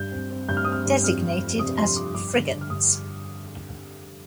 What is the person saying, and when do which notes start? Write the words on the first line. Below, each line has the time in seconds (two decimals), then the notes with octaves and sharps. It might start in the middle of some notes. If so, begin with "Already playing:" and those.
Designated as frigates.
Already playing: G2 G6
0.12 C4
0.31 C4
0.48 G2 G6
0.57 F6
0.64 D#6
0.68 C4 F6
0.85 G2
1.04 F2 F6
1.22 F2
1.41 F2
1.59 C3 D#6
1.78 F2 C6
1.96 F2 D6
2.15 G2 D6
2.33 D3
2.52 D3
2.61 F6
2.70 G2 D#6